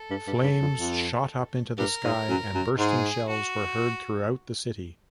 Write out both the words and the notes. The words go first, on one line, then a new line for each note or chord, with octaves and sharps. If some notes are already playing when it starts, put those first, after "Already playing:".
Flames shot up into the sky and bursting shells were heard throughout the city.
Already playing: A4
G2
G2
G2
F2
F2
G2 A#4
G#2
F#2
F#2
G#2 G#4
F#4